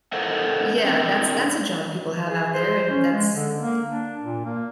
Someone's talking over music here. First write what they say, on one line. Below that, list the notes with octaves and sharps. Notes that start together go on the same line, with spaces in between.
Yeah, that's that's a job people have out there, and that's, i i
A4 A#4 C5 D#5 E5 F#5
C4 D4 A#4
G#4
C5
C#4
G#3
D3
A#3
D4
A#2
A#3